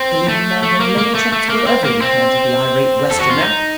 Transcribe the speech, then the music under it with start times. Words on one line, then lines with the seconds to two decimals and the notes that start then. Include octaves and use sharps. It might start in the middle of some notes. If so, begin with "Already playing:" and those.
The leading man had no chance whatever in the hands of the irate Westerner.
Already playing: C4
0.28 A3
0.63 A3
0.80 A#3
0.98 A#3
1.15 A3
1.33 A3
1.50 A#3
1.67 C4
1.84 A#3
2.02 C4
3.11 A4
3.20 F#4
3.31 F4
3.41 D#4